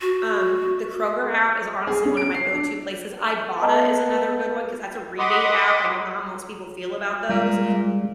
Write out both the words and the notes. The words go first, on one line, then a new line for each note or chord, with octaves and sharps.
um, the Kroger app is honestly one of my go to places, Ibotta is another good one 'cause that's a rebate app, I don't know how most people feel about those,
F#4
G#4
C#4
D7
C7
D4
B3 D#5 A5 A#5
D#5 F#5 B5 C6 D6 D#6
A#2 G3 G#3